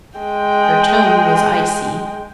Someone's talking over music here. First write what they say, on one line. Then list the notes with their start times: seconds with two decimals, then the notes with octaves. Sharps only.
Her tone was icy.
0.19 G#3 G5